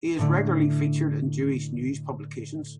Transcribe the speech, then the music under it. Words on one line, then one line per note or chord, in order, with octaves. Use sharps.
He is regularly featured in Jewish news publications.
A2 D3 A3